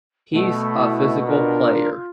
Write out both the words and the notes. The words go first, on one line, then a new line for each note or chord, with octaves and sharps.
He's a physical player.
B2 A3
E4
D4 F4 A#4